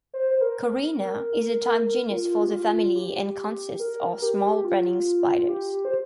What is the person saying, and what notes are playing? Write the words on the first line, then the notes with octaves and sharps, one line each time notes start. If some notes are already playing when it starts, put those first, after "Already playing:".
"Corinna" is the type genus for the family and consists of small running spiders.
C5
C5
A#4
F4
G4
F4
G4
A#4
G4
F4
G4
C5